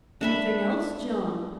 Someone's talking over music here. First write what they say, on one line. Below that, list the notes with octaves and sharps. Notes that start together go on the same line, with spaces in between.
"Anything else, John?"
D4 E5 B5